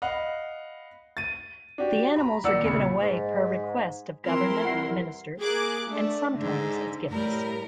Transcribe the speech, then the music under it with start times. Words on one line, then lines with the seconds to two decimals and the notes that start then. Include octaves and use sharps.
The animals are given away per request of government ministers and sometimes as gifts.
0.02 D#5 F5 F#5 B5
1.17 A6 D#7
1.78 D4 F#4 G4
2.16 A#5 B5
2.44 A#2 D#3 D5 F#5 E6 C#7
2.64 A#1 C#3 B5 C#7
3.01 G#2
4.25 F3 C4 E4 A#4 C6
4.65 C2 E3 F#5 C7
5.38 A#3 G#4 D6 F#6
5.87 A3 D4
6.34 G#2 D3
7.09 A2 G3 A#4